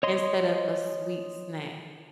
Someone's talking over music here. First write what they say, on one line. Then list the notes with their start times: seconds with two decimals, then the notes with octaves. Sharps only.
instead of a sweet snack,
0.03 C#5 D#5 C6